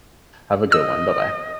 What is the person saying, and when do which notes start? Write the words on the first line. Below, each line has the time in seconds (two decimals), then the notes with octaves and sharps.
Have a good one. Bye-bye.
0.72 D#5 E6